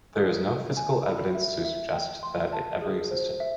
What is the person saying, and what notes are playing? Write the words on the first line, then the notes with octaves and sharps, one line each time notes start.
There is no physical evidence to suggest that it ever existed.
D#6
D#5
G#5
B5
E5
E5
G5
C6
A5
G#4
C5
E5